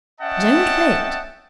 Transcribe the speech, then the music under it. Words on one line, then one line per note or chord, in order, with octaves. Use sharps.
Don't wait.
C#4 D#5 E5 F#5 G5 A5